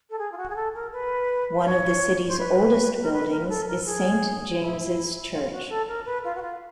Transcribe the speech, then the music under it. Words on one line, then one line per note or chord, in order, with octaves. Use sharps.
One of the city's oldest buildings is Saint James's church.
A4
G#4
F4
F#4
G#4
A4
A#4
B4
C5
C#5
C5
B4
A#4
B4
A#4
A4
A#4
G#4
E4
F4
F4
F#4
A4
A#4
B4
F4
F#4
F4